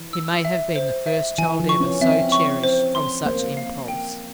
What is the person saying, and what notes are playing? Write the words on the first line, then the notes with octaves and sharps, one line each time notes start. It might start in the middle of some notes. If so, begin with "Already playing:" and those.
He may have been the first child ever so cherished from such impulse.
Already playing: E3
E6
E5
C5
E5
E3 G#5
F3
C#6
C#4
C4 E5
C#6
C5
C6
A#3 C5
F5
G5